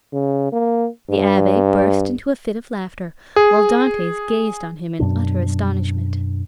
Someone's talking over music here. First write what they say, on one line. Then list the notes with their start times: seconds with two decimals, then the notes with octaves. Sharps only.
The abbe burst into a fit of laughter, while Dantes gazed on him in utter astonishment.
0.13 C#3
0.52 A#3
1.10 G2
3.36 G#4
4.99 F#2 B2 D4